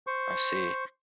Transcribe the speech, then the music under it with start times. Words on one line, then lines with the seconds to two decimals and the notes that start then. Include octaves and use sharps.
I see.
0.07 C5 C#6